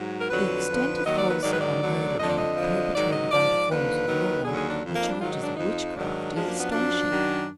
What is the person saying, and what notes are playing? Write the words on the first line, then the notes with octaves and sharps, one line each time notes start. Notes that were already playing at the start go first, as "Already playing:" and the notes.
The extent of wholesale murdering perpetrated under forms of law, on charges of witchcraft, is astonishing.
Already playing: G#2 F#3
A#4
F2 D3 F#3 B4
F2 D3 F3
D#2 D#3 F#3 D#5
D5
B4
G#2 D#3 F#3 D5
B4
D5
D2 D3 F#3
F2 D3 F3 D#5
D5
D#5
F2 D3 F3
G#2 D#3 F#3 D5
D#5
G#2 F3 D5
D#2 D3 F3 B4
D#2 D#3 F#3
D#2 D3 F#3 G#4
G#4
D4
F2 F3
A#3
D#4
D4
G#2 D#3 F#3 F4
D#4
D4
F2 F3 D#4
G#2 D#3 F#3 D4
F#2 F3 G#3
A#3
B3
F#2 F3 D4
F#2 D#3 F#3